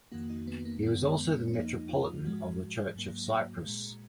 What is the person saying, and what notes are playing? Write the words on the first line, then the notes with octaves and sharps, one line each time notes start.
He was also the Metropolitan of the Church of Cyprus.
F2 D#3 A#3 F#4
D#4
B3
A#3
A#3
F#2 D#3 G#3 B3
B3
C#4
C#4
F2 F3 A#3 D#4
F4
G#2 F3 G#3 F#4
G#2 F#3 A#3
A#2 G#3